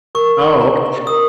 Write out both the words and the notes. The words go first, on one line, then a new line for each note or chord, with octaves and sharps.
Oh, okay.
A#4 C#6
A#5
A#4 D#6